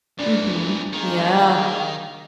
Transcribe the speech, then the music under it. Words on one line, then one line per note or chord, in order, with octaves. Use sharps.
Mhm. Yeah.
A#2 E3 D4
D#3 G#3 A#3